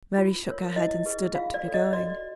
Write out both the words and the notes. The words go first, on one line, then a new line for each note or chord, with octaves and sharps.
Mary shook her head, and stood up to be going.
F4
A#4 C#5
E4 D#5
G#4 B4
F4 F5
D5
A4 C#5
D#5
F#4 D5